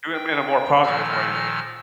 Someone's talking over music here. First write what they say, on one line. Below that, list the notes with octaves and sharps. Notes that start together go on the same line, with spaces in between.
Do 'em in a more positive way.
G5
A#2 D#3 F3 E6 F6